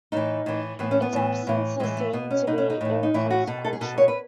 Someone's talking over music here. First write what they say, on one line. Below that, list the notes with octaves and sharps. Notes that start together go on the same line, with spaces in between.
Its absence is seen to be inconsequential.
A2 E3 D#4
A2 E3
A2 E3 B3
C#4
B3
A2 E3
A2 E3
A2 E3 G#3
A3
B2 B3
C#4
B2 D#4
C#4
D#4
A2 E3
D#4
A2 E3 E4
F#4
B2 A4
A4
G#4
B2 A4
C#5
B4